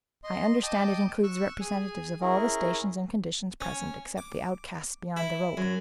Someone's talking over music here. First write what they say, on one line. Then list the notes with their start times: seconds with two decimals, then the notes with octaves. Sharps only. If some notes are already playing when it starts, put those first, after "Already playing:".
I understand it includes representatives of all the stations and conditions present except the outcasts beyond the rope.
0.24 D#5 C6
0.63 D#5 G5 A5 D6 D#6
1.23 C#6 E6 F#6
1.61 G#4 G#5 D#6
2.21 C#4 E4 G#4 A#4
3.61 C#4
4.18 D6
5.16 E4
5.57 F#2